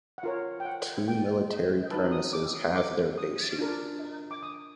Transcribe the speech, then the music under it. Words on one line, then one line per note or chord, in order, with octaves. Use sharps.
Two military premises have their base here.
F#5
F4 A#4 C#5 F5
G5
F#5
G5
D#4 F#4 B4 A5
D#6
D6
D#6
D6
D#6
D4 F4 A#4
D6
D#6